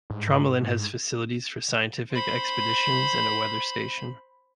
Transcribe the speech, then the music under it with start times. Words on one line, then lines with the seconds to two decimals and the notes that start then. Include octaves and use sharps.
Tromelin has facilities for scientific expeditions and a weather station.
0.10 G#2
2.11 C5 B5